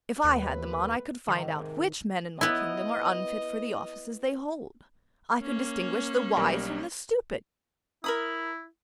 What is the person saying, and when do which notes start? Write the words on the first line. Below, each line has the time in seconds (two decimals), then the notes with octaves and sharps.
'If I had them on I could find out which men in my kingdom are unfit for the offices they hold; I could distinguish the wise from the stupid!
0.24 D#2 A3 B3 B4
1.28 G#2 C3 D#3
2.41 B3 E4 D#5
5.41 A#3 C#4
6.37 B1 G3 A#4
8.04 E4 A#4 B5 D#6